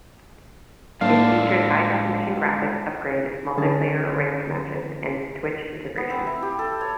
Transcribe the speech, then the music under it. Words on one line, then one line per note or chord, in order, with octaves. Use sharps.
It features high definition graphics upgrade, multiplayer ranked matches, and Twitch integration.
A2 D3 G#3 A#3 F4 E5 F5 A5
D3 C#4 G#4 A5
B3
C4
E4
G4
A4
C#5